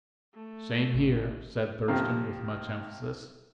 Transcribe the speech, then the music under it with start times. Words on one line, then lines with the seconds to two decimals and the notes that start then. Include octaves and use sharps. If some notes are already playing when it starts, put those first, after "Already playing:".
"Same here," said Thurston with much emphasis.
0.34 A3
0.94 G#1
1.88 C3 D#3 F3 G3 A#3